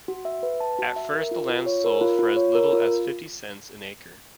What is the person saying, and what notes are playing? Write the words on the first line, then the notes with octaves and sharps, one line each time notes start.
At first the land sold for as little as fifty cents an acre.
F#4
E5
B4
A5
F#4
E5
A#4
F4
F4
C#5
A#4
F4
F4
C#5
A#4
F4